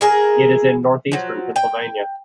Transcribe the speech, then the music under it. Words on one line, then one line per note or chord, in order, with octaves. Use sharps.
It is in northeastern Pennsylvania.
E4 G#4 A#4
F3 F#3
G5